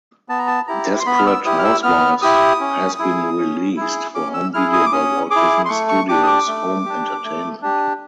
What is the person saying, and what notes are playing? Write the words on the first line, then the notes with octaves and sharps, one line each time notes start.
"Desperate Housewives" has been released for home video by Walt Disney Studios Home Entertainment.
B3 A5
A#5
A5
E4 G4 A#5
C6
B3 B5
F6
E6
E4 G4 D#6
F6
E6
B3 F6
E4 G4 D#6
C#4
E4 G#4
C#4
E4 G#4
C#4 D6
E6
E4 G#4 F6
D#6
D6
C#4 D#6
E4 G#4 D6
C6
A3 C#6
C#6
D4 G4 D6
D#6
D6
A3
D4 G4
A3
D4 G4